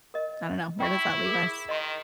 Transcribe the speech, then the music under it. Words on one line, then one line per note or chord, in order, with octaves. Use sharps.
I don't know, where does that leave us?
A#4 D#5
E4 G5 C#6
G#4 A#4
D#3 D#5 C6